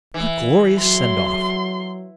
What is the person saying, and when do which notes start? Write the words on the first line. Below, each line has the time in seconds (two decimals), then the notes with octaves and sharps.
What a glorious send- off!
0.14 E3
0.80 F#3 C6